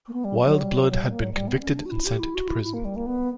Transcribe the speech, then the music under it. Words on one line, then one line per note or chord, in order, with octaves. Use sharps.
Wildeblood had been convicted and sent to prison.
A#3
B3
G3
F#3
F#3
G3
F#3
F#3
G3
A#3
F#3
G3
B3
C#4
D4
F#4
E4
G4
E4
F#4
E4
E4
A#3
G3
A#3
B3